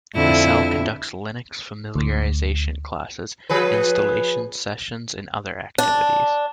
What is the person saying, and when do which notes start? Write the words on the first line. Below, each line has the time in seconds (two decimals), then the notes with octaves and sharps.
The cell conducts Linux familiarisation classes, installation sessions and other activities.
0.15 F2 D3 E4
1.96 D2
3.49 F3 G#4 B4
5.78 D4